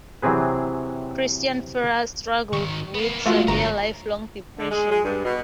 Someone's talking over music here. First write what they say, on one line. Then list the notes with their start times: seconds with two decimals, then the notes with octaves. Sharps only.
Christian Ferras struggled with severe lifelong depression.
0.22 C3 E3 F#3 C4 G#4 B4
2.53 G#2 D#3 C#6
2.94 A#3 B3
3.26 G#3 A3 B3 F4 F#4
3.48 G1 A#4 C#5 A#5
4.58 D3
4.70 G#3
4.91 G#3
5.04 G2
5.24 B2